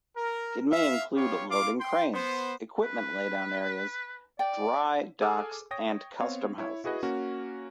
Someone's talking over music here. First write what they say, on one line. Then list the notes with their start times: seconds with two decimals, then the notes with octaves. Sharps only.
It may include loading cranes, equipment laydown areas, dry docks and custom houses.
0.17 A#4
0.71 E5 F5
1.15 B3 F4 G4 C#5
1.50 E4 F4 F5 D6
1.79 G5 C6
2.13 B3 C5
2.82 B4
4.39 D5 G5
5.21 G#4 A4 G#5 D6 E6 F6
5.71 C#5 G5 D#6 A#6
6.20 B3 C4 C#5 F5
6.58 E4 C#5
6.84 E4 F#4 G#4 B4 D#5 F#5
7.03 A#3 C#4 F#4